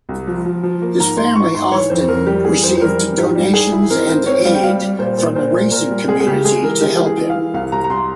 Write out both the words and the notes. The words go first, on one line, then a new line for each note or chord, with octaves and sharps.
His family often received donations and aid from the racing community to help him.
C2
F3
F3
F3
A#3
G#2 A#5
G#2 C6
G#2 C#6
G#2 C6
E3 C#5
F2 C5
F2 A#4
G3 G4
E3 G#4
F2 C5
C5
G3 A#4
E3
G#2 G4
G3
G#2 G#4
E4
C4 A#4
G#2 C5
C4 C#5
G3 F5
G5
G3 F5
G3
A#2 C5
A#2
A#2 C5
A#2
A#2 A#4
G3
G#3 G#4
G#4
C#3 G4
G#3 G#4
E3 A#4
G#3 G4
E3
G#4
E3
F5
E3
C2 F5
C2 A#5
A#5
C2 C6